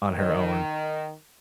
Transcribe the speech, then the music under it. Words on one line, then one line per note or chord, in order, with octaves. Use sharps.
on her own.
D#3